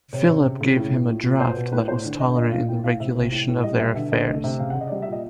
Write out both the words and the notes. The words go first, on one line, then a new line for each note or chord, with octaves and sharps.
Philip gave him a draft that was tolerant in the regulation of their affairs.
C3 C#5
C3
C#3
C#3
A2
A2
A#2
A#2
B2 C5
B2
A2 B4
A2 C5
D3 D5
D3 D#5
A#2 D#5
A#2 F5
A2 G5
A2 F5
C3 E5
C3
A2
A2
G3 D#5
B2 E5
D3 E5
D3 D#5
A3 D#5
C3 E5
C#3 F5
F#5
C#3
D#5
D5
G3 D#5
E5
A#2
D#5